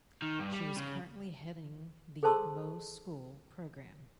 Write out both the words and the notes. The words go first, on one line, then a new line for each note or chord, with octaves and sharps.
She is currently heading the "Mo school" programme.
D#3
G2
G3
C#3
G#4 A4 C5 A5 C6 E6